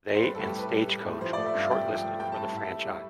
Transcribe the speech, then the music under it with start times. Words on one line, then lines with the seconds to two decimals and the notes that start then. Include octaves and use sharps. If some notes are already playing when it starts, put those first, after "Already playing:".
They and Stagecoach were shortlisted for the franchise.
0.15 C5
0.22 G3 B4
0.35 A4
0.39 A2
0.47 G4
0.56 A2 B4
0.72 G3
0.88 G3
1.05 A2
1.21 F3 C5
1.33 D5
1.38 A3
1.46 E5
1.54 G2 F5
1.70 G2 G5
1.88 F3
1.95 G5
2.03 A3
2.20 G3 G5
2.32 A5
2.37 A2
2.53 A2 E5
2.69 G3
2.85 G3